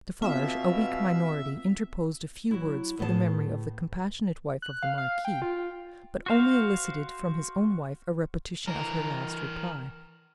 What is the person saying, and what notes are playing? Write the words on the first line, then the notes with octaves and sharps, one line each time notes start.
Defarge, a weak minority, interposed a few words for the memory of the compassionate wife of the Marquis; but only elicited from his own wife a repetition of her last reply.
B2 B3 C4 F4 E5 F5
F#3 E4
A2 B3 G#4 D#5 A5
F#6
F5
F5
G5
F4
F#4 C5 F5
E3 A#4